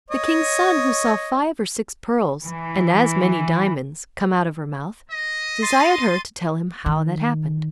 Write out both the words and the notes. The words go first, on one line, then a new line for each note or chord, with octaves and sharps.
The King's son, who saw five or six pearls, and as many diamonds, come out of her mouth, desired her to tell him how that happened.
C#5 D#5
E3
D#5
C6 A6 D#7
D#3